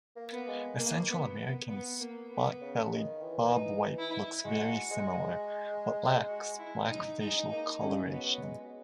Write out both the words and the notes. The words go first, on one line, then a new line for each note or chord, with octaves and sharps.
The Central American spot-bellied bobwhite looks very similar, but lacks black facial coloration.
A#3
B3
G#3
A#3
B3
B3
B3
A#3
B3
C#3
D#3
E3
D#4
E4
G#3 F#4
G#3
F#4
E4
D#4
G#3 D#4
A#3 D#4
G#3 C#4
F#3 B3
G#3